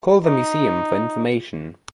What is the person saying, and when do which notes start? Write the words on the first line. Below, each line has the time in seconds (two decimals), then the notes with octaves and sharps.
Call the museum for information.
0.25 D#4